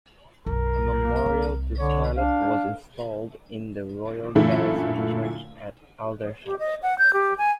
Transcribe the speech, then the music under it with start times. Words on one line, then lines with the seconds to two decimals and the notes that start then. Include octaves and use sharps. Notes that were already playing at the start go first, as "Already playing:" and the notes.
A memorial to Scarlett was installed in the Royal Garrison Church at Aldershot.
0.46 B1 F#2 A#4
0.97 A#3
1.26 C2
1.79 D3 C#5
2.17 D4 F5
4.35 F#2 A#2 D3 E3 A3 E4
6.46 G4
6.59 D#5
6.83 F#5
6.99 G6
7.13 G4
7.38 G#5